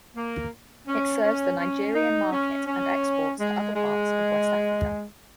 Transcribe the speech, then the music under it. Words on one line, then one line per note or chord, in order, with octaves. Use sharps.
It serves the Nigerian market and exports to other parts of West Africa.
A#3
C#4
C#4
C#4
D#4
C#4
C#4
G#3
G#3